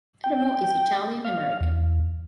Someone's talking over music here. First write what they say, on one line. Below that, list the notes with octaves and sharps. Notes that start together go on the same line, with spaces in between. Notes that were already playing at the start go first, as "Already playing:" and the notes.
Adamo is Italian American.
G5
F5
E2